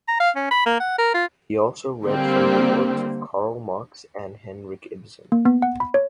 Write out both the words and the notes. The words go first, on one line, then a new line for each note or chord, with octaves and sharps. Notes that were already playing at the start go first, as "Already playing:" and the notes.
He also read from the works of Karl Marx and Henrik Ibsen.
A#5
F5
C#4
B5
A#3
F#5
A#4
F4
D3 G3 A#3 C4
A#3
B3
F#5
B5
C#5